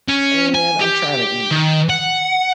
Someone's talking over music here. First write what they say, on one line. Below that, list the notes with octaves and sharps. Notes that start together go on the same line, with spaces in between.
"Man, I'm tryna eat
C#4
G#5
G4
D#3
F#5